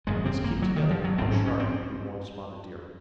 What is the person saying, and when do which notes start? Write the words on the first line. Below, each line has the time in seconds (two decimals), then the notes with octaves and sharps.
"We must keep together, and watch sharp," he warned Spotted Deer.
0.07 G#1 F#2 C#3 G#3
0.25 C4
0.44 A#3
0.62 F#3
0.76 D#3
0.91 F3
1.04 F#3
1.18 A#1 G#2 C4
1.32 C#4
1.46 C#4
1.60 C4